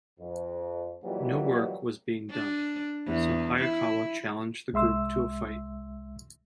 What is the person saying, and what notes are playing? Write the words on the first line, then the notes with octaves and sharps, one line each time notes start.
No work was being done, so Hayakawa challenged the group to a fight.
F2
C#2 A#2 E3 F#3 G3
D4
E2
E4
C2 G#3 E5 C6 E6